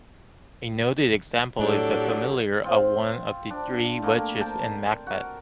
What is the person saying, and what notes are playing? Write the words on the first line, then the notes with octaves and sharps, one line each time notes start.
A noted example is the familiar of one of the three witches in Macbeth.
A2 F#3 D4 G4 A4
C4 F4
D4
A3 A#3
A#4 G5 A5
F#4 A#4